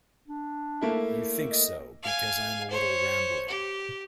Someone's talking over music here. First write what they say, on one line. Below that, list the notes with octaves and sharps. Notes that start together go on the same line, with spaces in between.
You think so because I am a little rambling.
D4
A3 A#3 E4
D#5
F5 G#5
C5 C#5
G4